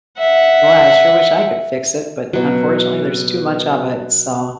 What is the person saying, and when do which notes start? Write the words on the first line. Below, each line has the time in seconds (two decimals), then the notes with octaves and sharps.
boy, I sure wish I could fix it, but unfortunately there's too much of it, so
0.19 E5 F#5
2.33 B2 F#3